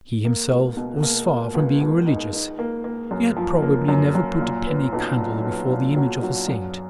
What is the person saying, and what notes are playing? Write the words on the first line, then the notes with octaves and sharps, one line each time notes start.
He himself was far from being religious; he had probably never put a penny candle before the image of a saint.
A#3
C#2
B2
A#3
A#3
C#2
C#2
D#4
D#4
A#3
A#3
F#2
F3
A#3
F#2
F#2
A#2
B3
B1
A#2
F#3
A#2
F#3
F#3
F#2